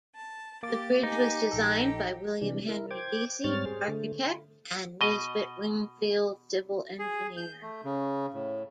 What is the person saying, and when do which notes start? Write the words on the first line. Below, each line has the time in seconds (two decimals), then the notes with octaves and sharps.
The bridge was designed by William Henry Deacy, architect and Nisbet Wingfield, civil engineer.
0.15 A5
0.63 A#3 G4 D6 A6
1.03 D#4 G4 G#5
1.52 A#1 G4 A4
2.41 C3 E3 G3 D4
2.68 E4 A#4
2.91 C5 G5 D6 G#6
3.44 G#2 G3 C4 C#5 F6 A6
3.65 G#4 C5
3.88 D3 A3
5.01 B2 D#5
6.99 G#4
7.37 G6
7.62 A3
7.85 C#3
8.34 A2